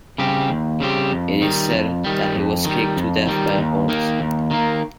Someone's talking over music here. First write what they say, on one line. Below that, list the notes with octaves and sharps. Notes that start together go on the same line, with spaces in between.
It is said that he was kicked to death by a horse.
C#3 G3 C4 G4
D#2
C#3 G3 C4 G4
F2
D#3 G3
F2
D#3 G3
F2
D#3 G3
F2
D#3 G3
D#2
D#3 A#3
D#2
D#3 A#3